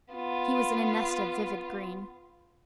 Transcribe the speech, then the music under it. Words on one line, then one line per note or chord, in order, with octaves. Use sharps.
He was in a nest of vivid green.
B3 F4